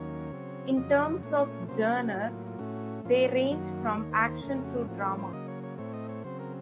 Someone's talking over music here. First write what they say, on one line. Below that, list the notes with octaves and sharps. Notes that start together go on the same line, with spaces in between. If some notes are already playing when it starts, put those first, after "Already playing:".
In terms of genre, they range from action to drama.
Already playing: D#2 D#3 F#3 A#3 C#4 C#5
C#3 F#3 C4
F2 C#3 F#3 D#5
A#2 A3 C#4 C#5
C3 F#3 A#3 C#4 C5
A#4
F#4
A2 F#3 A#3 F4
F4
A2 A3 C#4 F#4
A2 F3 A#3 C#4 F4
F#4
F#2 D#3 F#3 A#3 F#4
D#2 D#3 A#3 C#5
C5
C5
F2 C#3 A3 C#4 A#4
F#4
A2 F3 A#3 C#4 F#4
A4
C5
C#3 F#3 A#3 D#5
C#5
C#5
A2 A3 C4 C#5
D#5
C#5
C#3 F#3 C4 C5
A#4